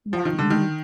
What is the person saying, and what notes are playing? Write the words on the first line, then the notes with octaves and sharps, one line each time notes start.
Yeah, mhm.
F3
D#3
D3
D#3